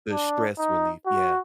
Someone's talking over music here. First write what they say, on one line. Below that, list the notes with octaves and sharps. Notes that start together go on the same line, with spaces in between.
the stress relief, yeah.
D4
D#4
F#4